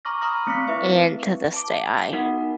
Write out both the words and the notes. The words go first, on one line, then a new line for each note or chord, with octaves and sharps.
And to this day, I
A#5 C#6 D6 F6 A#6
A#5 B5 C#6 D#6 F6 A#6
A3 C4 C#6 D6 B6 C#7
C4 E4 B4 E5 C#6
A5 D6
B3 D#4 F#4 A#4 F#5